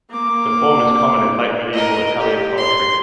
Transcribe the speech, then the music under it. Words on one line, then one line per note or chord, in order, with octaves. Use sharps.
The form is common in late medieval Italian poetry.
A#3 D6
A#4 D#5
G4
C6